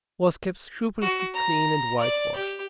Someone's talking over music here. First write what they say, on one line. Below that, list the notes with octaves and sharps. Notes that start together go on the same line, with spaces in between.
It was kept scrupulously clean and whitewashed.
F#4
A#5
D5
G4